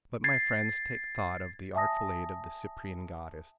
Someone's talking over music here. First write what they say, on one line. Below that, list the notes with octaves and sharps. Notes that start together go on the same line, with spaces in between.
But, my friends, take thought of the artful aid of the Cyprian goddess.
G#6 A6 C7
E5 G#5 A5 D#6 A#6